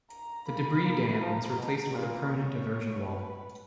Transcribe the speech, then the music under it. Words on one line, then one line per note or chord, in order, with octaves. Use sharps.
The debris dam was replaced with a permanent diversion wall.
A#5
A#3 B5
A#3
F3 A#5
B2
A#2 B4
C#5
B2 B4